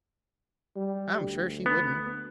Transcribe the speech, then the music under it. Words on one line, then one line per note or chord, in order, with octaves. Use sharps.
"I'm sure she wouldn't."
G3
D2
B3